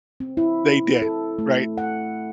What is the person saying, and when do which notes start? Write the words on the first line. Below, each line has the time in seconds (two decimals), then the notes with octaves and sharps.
they did, right?
0.20 C4
0.37 E4
1.02 A4
1.39 A3
1.78 F#5